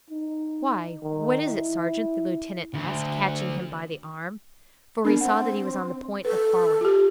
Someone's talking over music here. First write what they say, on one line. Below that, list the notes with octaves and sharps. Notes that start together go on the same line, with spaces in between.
"Why, what is it, sergeant?" the lieutenant asked, catching him by the arm, for he saw that he was on the point of falling.
D#4
D#3
E4
D2
B3 D4 A#4
C4 F#5
A4 B4
F4 G4